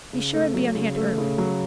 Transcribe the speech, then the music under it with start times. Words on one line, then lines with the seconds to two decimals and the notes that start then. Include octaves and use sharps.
"Be sure and be on hand early."
0.13 C#3
0.34 A3
0.54 F#3
0.75 C#3
0.97 A3
1.18 C#3
1.38 F#3